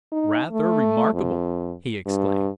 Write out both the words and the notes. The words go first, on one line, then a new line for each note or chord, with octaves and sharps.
"Rather remarkable!" he exclaimed.
D#4
A3
F2
G2